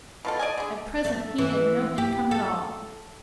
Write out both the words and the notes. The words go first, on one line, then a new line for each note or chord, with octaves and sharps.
At present he had no income at all.
B2 F4 A4
D5 D#5 G#5
D3 G#4
A3
E3
G4
A4